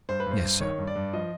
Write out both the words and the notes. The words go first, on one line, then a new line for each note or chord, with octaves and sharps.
"Yes, sir."
G2 C5
B4
G2
C5
G2
D#3 C#5
G2
D5
G2
F3 D#5